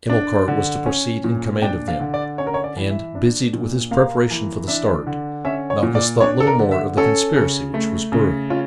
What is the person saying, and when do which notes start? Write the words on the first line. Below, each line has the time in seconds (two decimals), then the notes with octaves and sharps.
Hamilcar was to proceed in command of them, and, busied with his preparation for the start, Malchus thought little more of the conspiracy which was brewing.
0.09 D4
0.48 D3
0.86 C#4
1.24 A#2
1.62 D4 G5
1.88 F5
2.01 D3
2.14 D5
2.38 C#4 C#5
2.47 A#4
2.54 C#5
2.64 D5
2.77 E3
2.90 E5
3.15 D4
3.53 A#2
3.91 A#3 F5
4.30 E3
4.68 D4 E5
5.07 D3
5.45 C#4 E5
5.70 C#5
5.83 A#2
5.95 D5
6.20 D4 C#5
6.40 A4
6.47 A#4
6.59 D3
6.71 E5
6.97 C#4 A4
7.36 C#3
7.74 A3
8.12 C#3
8.50 C#4 F4